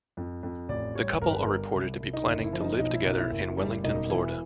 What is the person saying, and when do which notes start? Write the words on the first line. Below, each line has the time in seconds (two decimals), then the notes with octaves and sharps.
The couple are reported to be planning to live together in Wellington, Florida.
0.17 F2
0.43 F2
0.69 A1 D5
0.95 G3 C#5
1.21 G1 A#4
1.31 B4
1.41 A#4
1.49 G3
1.74 C2
2.00 C2
2.13 D#4
2.26 F#1 D#4
2.44 E4
2.53 F3
2.61 D#4
2.78 B1 D#4
2.93 E4
3.05 B1 D#4
3.18 E4
3.31 F#1
3.57 G3
3.84 E1 D#4
4.10 E3 E4